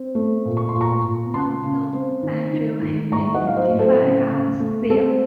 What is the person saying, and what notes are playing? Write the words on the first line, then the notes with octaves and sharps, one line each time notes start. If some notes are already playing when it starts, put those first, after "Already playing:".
No, no; I feel he may defy us there.
Already playing: C4
A3
A#2
C#6
C6
A#2
A#5 C#6
A#2
C#3 A5 C6
C#3
C4
D#3
D#3
D#3
A2 A#5 C#6
D#5 F#5
F#3
F5
C5 D#5
A2
A4 C5
C#3
C#3
A3
C4 A4 C5